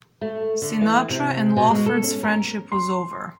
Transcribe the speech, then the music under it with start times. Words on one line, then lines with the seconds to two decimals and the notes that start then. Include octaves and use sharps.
Sinatra and Lawford's friendship was over.
0.21 A3
0.62 D3
0.81 E3
1.10 C3
1.56 B2
1.70 G#3
1.86 A4
2.03 C#4
2.23 A#4
2.72 C6